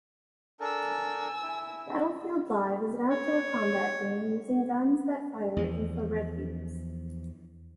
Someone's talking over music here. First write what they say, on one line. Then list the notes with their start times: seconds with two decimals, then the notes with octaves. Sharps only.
Battlefield Live is an outdoor combat game using guns that fire infra-red beams.
0.60 D4 A4 A#4 G#5 E6
1.42 E4
3.11 C#5
5.57 E2 F3